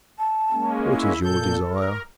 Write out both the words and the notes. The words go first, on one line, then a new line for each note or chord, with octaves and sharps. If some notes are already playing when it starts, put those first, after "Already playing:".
"What is your desire?"
A5
G#3 A#3 C#4
E4
A#2 A4 G6
A#4